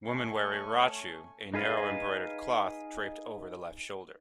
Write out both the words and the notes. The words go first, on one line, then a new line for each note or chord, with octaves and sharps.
Women wear a "rachu", a narrow embroidered cloth draped over the left shoulder.
A3 C#4 G#5 C#6
D#4 G#4 B4 F5